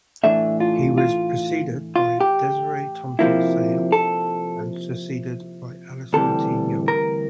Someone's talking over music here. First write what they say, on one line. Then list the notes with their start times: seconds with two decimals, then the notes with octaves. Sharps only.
He was preceded by Desiree Thompson Sayle and succeeded by Alison T. Young.
0.23 A2 E3 A3 D4 E5
0.60 F4
0.98 F4
1.96 F4
2.21 G4
3.19 C3 F3 A#3 E4
3.92 A4
6.13 D2 C3 E3 G3 A4
6.88 A#4